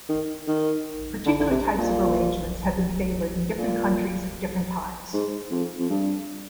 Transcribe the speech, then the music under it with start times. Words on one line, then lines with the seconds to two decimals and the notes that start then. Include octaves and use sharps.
Particular types of arrangements have been favored in different countries at different times.
0.09 D#3
0.48 D#3
1.26 D3
1.40 D3
1.51 C3
1.78 A#2
3.58 A#2
5.13 G#2
5.51 F2
5.79 F2
5.90 G2